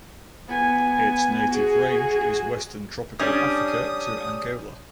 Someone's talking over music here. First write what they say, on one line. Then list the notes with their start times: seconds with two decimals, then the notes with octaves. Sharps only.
Its native range is Western Tropical Africa to Angola.
0.47 B3 G#5
1.49 F#4 G#4
3.19 G3 C#4 D4 D#6